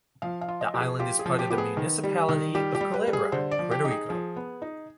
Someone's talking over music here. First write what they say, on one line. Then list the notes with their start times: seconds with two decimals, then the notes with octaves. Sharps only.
The island is part of the municipality of Culebra, Puerto Rico.
0.22 F3 F5
0.41 F5
0.48 F4
0.61 D#5
0.74 F3 G4
0.81 G#4
0.99 F4 G4
1.19 G#4
1.26 F3
1.39 G4
1.50 B3 G4
1.58 G#4
1.77 D#3
2.03 G3
2.29 D#3
2.55 G3 G4
2.75 G4
2.81 G3
2.94 B4
3.07 G3
3.13 G#4
3.32 D3 C5
3.51 D5
3.59 F3
3.71 G4
3.85 D#4
3.91 G#4
4.10 F3 G#4
4.36 B3
4.62 D#4